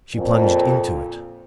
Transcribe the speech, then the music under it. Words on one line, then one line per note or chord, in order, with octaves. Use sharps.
She plunged into it.
F2 A#2